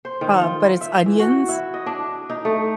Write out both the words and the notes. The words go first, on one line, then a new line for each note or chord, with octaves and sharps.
uh, but it's onions.
C5
D#3
F4
E5
E3
F#4
E4
D#5
D4
D#4
A3